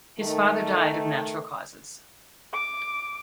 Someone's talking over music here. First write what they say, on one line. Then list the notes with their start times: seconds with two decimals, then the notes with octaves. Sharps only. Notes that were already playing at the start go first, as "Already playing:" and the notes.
His father died of natural causes.
0.19 D#3 A3
2.53 D6